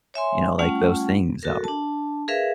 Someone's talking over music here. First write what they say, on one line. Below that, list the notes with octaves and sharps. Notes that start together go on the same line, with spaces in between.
you know, like those things, um
C#5 E5 G#5 C6
G3 A3 C#4 F4 F#5
F#4 A4 A#4
D4 A5
G#4 A#4 B4 E5 F5